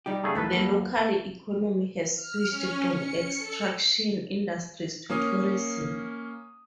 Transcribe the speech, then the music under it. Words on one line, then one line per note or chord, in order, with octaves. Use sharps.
The local economy has switched from extraction industries to tourism.
G3 D#4 G4
C#3 A3 G#4
D#2 G#2 E3 A3 A4 B4
F#2 A#3 F#4
F6
C#4
C#7
A4
A#3 C#4 D#6